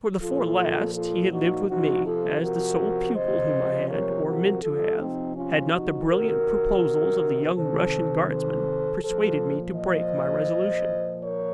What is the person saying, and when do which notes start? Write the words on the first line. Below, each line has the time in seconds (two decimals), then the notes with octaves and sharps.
For the four last he had lived with me as the sole pupil whom I had, or meant to have, had not the brilliant proposals of the young Russian guardsman persuaded me to break my resolution.
0.21 A#2 F3 F4 A4
0.95 F4 A4
1.32 D#4 F#4
1.68 C3 F3 D#4 F#4
2.05 F4 A4
2.42 F#4 A#4
3.15 C3 F3 C5 D#5
3.88 A#4 C#5
4.26 F#4 A#4
4.63 C3 F3 F4 A4
4.99 C4 D#4
5.35 C#4 F4
5.73 D#4 F#4
6.09 C3 D#3 F#4 A#4
7.56 C3 D#3 A4 C5
8.29 A4 C5
9.03 A#2 F3 A4 C5
9.76 C5 D#5
10.49 A#2 F3
11.23 A#4 C#5